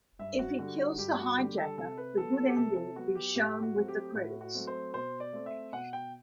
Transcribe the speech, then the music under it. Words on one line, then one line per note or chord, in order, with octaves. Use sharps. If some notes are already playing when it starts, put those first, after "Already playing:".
If he kills the hijacker, the good ending is shown with the credits.
G2 E5
F#4
D3 G3 F#4
F#4
G2 G4
F#4
D3 G3 G4
A4
C3 A4
B4
F#3 B3 A4
A4
G4
C3 A4
A4
F#3 B3 F#4
G4
A2 G4
F#4
F#3 A3 C4
G4
A2 F#4
F#4
F#3 A3 C4
C5
B2 C5
D5
A3 C4
E5
B2 F#5
G5